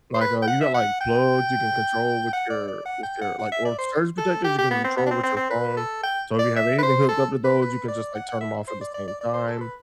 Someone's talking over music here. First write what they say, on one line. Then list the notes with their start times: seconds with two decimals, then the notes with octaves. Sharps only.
like, uh, you got, like, plugs you can control with your with your, like or surge protectors you can control with your phone, so if you have anything hooked up to those, you can just, like, turn 'em off at the same time.
0.14 C5
0.21 B4
0.42 G5
0.48 F#5
0.61 E5
0.74 F#5
1.01 G5
2.33 F#5
2.50 D5
2.68 D5
2.85 F#5
3.03 G5
3.21 F#5
3.39 F#5
3.52 E5
3.65 D5
3.78 C5
4.18 A4
4.44 G4
4.58 G4
4.70 B3
4.84 C4
4.97 B3
5.06 D4
5.11 C4
5.23 C4
5.37 C4
5.50 B4
5.77 A4
6.03 G5
6.39 D5
6.56 E5
6.78 B4
6.83 C5
7.09 A4
7.44 B4
7.62 B4
7.88 D5
8.15 F#5
8.28 F#5
8.41 E5
8.67 C5
8.81 D5
8.94 D5
9.07 D5
9.21 D5
9.33 C5
9.47 A4
9.61 B4